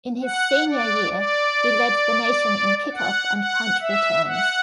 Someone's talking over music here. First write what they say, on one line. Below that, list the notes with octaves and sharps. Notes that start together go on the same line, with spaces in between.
In his senior year, he led the nation in kickoff and punt returns.
F#5
D5
D5
F#5
F#5
E5
F#5